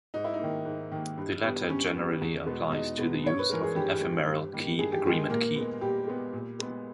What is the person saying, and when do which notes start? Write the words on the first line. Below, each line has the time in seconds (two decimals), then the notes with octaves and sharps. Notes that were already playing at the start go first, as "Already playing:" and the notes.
The latter generally applies to the use of an Ephemeral Key Agreement Key.
0.14 G#2 D#4
0.24 E4
0.34 D#4
0.39 D#3 A#3
0.65 G#2
0.92 D#3 A#3
1.18 G2
1.43 G3 B3
1.69 G2 C#4
1.95 G3 B3
2.21 E2
2.46 B2 G#3 B3
2.72 E2 D#4
2.97 B2 G#3 B3
3.24 G2 C#5
3.39 B4
3.50 E3 G#3 A#4
3.63 G#4
3.75 G2 G3 G4
4.01 E3 G#3
4.27 G2
4.53 D#3 G3 A#3
4.79 G2 G#4
4.92 G4
5.04 D#3 G3 G#3 A#3 G#4
5.30 A#2 A#3 A#4
5.56 G#3 B3
5.81 A#2 G3 G4
6.07 G#3 B3
6.33 A#2
6.59 G#3 B3